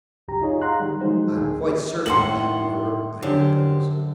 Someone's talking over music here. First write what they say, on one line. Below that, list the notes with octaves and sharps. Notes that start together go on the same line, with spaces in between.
"I am quite certain of that, Wardrop," I interposed.
C#2 F#2 G4 A#5
D#4 F4 G#4 C#5 D#5
F5 F#5 A#5 C6 F#6
D#3 G3
D#3 F3 F#3 G#3 D#4 C5
D2 D#3 G#4
A2 D#3 F#5 C6 F#7
F#2 D3 G4 C5